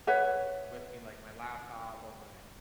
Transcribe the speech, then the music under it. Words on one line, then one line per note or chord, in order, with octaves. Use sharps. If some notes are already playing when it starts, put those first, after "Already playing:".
with me, like my laptop or my
B4 C#5 E5 F#5